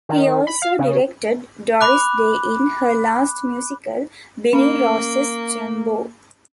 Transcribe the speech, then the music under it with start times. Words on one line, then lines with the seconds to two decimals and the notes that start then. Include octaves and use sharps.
He also directed Doris Day in her last musical, "Billy Rose's Jumbo".
0.09 D#3
0.47 B5
0.62 F5
0.79 C#3
1.81 B5 D6 F#6
4.53 A#3 C#4